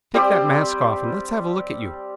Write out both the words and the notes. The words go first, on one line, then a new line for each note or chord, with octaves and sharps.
"Take that mask off and let's have a look at you."
G3 C4 G4 D5